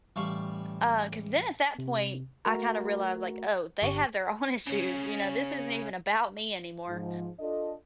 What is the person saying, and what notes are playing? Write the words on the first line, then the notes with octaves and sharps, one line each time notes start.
uh, 'cause then at that point, I kind of realized like, "Oh, they have their own issues, you know, this isn't even about me anymore."
A1 G3 F5 A5 C#6
C3
A3 F#4 A#4 A#5
G1 G4 C#6
C#3 C#4
G#2 F3
D4 F4 A4 D#5